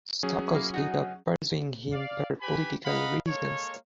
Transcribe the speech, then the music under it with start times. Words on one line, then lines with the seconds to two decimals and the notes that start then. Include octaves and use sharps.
Sarkozy of pursuing him for political reasons.
0.23 F#3 C#4 G#4
0.52 A#3 E4
0.74 D#4 F#4
1.92 D5 F5
2.41 G4 B4 G#5 B5
2.85 B4 D#5 F5 F#5 A#5 B5
3.28 G#3 A#3 A4 C#5